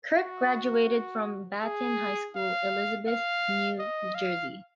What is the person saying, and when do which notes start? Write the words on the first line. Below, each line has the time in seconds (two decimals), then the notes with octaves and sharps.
Kirk graduated from Battin High School, Elizabeth, New Jersey.
0.20 F#4
1.63 G#4
2.35 F5
3.07 F5
3.79 D#5
4.15 F5